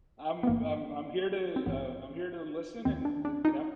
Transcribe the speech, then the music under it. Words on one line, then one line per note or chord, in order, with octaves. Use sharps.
I'm I'm I'm here to uh, I'm here to listen and, eh, you know,
B3
G#1 G2 E3 A#3
C4
A1 G#2 E3 B3
D#2 D#3 C4
D4
D4
D#4